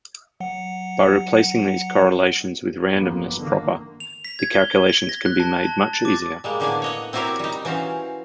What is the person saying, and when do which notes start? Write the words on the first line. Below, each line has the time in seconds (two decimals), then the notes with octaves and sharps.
By replacing these correlations with randomness proper, the calculations can be made much easier.
0.40 F#3 F#5 C#7
2.94 G1 E2 F3 A#3 B3
3.39 D3 D#3 A#3
4.00 F7
4.25 B6
4.39 G#6
4.54 G7
4.77 G7
4.89 B6
5.09 A#6
5.26 F#6
5.40 A5
5.64 A5
5.93 A6
6.05 D6
6.44 G3 G#3 A#3
6.60 A2 D3 A#3 B3 D4 G#5
6.82 C#5 D#5 F#5
7.13 C4 E4 F#4 G4 A#4 C#5
7.39 G3 D#4
7.65 E3 C#4 F#4 C5 F5